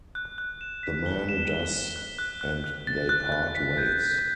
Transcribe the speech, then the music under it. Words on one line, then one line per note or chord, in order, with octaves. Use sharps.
The man does and they part ways.
F#6
F#6
E7
B6
G7
E7
G7
E7
F#6
F#6
F#6
F#6
A6
F#6
F#6
B6
G6
G6